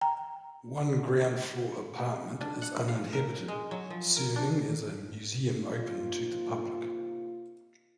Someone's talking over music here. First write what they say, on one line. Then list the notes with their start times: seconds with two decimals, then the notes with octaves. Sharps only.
One ground-floor apartment is uninhabited, serving as a museum open to the public.
0.01 G5 A#5
2.41 D4
2.62 F#5
2.88 F5
3.13 A#4
3.48 G#3
3.71 F#3
3.90 F3
4.16 A#4
4.36 D4
5.62 C3 A#3 D#4 F4